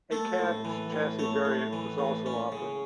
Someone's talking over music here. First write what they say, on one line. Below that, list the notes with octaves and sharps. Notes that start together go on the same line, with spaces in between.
A cab chassis variant was also offered.
A3 A4
A2
E3
A2
A3 C#5
A2
E3
A2
C#4
C#3